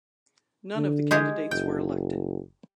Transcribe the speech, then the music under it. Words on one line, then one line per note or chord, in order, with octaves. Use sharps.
None of the candidates were elected.
D3
G#3 G4 G#4
F#1 G5